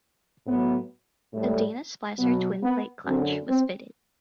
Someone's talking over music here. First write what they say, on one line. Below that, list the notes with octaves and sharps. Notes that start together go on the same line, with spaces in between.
A Dana Splicer twin plate clutch was fitted.
A2 F#3 B3
A2 G3 A3
B2 F#3 B3
B3
F#2 D3 F#3 C4
C4